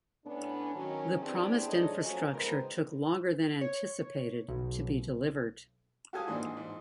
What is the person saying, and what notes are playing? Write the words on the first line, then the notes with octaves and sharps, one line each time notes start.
The promised infrastructure took longer than anticipated to be delivered.
A2 B3 C#4 D4
D#3 F#3 C#4
B3 C4 D4 E4 G4 G#4
G#2 G#3 D4 A4 C#5 D#5
F3 F#3 A3 C#4
F2 G#2 B3 C4 A#4 C5
C#5
B1
F#4 G4 A4 F5 G#5 D#6
G#2 E3 A#3 D4
G#2